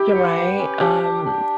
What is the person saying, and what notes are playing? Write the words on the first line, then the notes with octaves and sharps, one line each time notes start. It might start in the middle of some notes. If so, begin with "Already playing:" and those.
You're right, um,
Already playing: E4 G4
F#5
B4
C#4
D4 G4
D4
D4